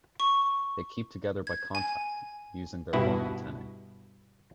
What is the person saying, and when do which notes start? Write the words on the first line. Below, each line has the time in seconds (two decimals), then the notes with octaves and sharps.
They keep together by contact, using their long antennae.
0.20 C#6
1.47 G#6
1.75 G#5
2.93 G2 B2 E4 F#5